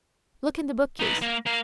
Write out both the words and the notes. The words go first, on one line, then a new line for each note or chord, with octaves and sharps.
Look in the bookcase!
D#4 B4
A#3
A#3 F5